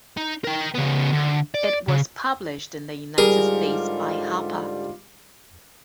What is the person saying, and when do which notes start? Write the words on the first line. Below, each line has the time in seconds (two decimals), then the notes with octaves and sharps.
It was published in the United States by Harper.
0.17 D#4
0.44 A#4 G5
0.74 C#3 B3
1.12 D2
1.54 D5
1.88 C#3
3.18 G#2 D3 G3 F4 G#4 A#4